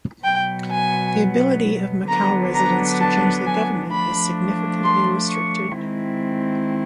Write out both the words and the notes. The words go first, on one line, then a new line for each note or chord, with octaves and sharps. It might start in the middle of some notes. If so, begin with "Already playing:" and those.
The ability of Macau residents to change their government is significantly restricted.
B2 F#3 B3 G5
G#5
D3 F#3 B3 D4 A#5
A#5
A5
G#5
F3 A3 D4 B5
C6
C#6
D#3 G#3 C4 E4